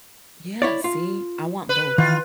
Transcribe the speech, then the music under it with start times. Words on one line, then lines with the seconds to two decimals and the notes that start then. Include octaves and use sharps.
Yeah, see. I want both.
0.62 E4 C#5 D5
0.84 F4
1.69 B4
1.98 D#3 E3 F4